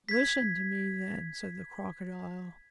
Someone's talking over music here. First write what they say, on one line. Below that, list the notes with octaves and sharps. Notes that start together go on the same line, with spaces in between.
"Listen to me, then," said the Crocodile.
G#6 B6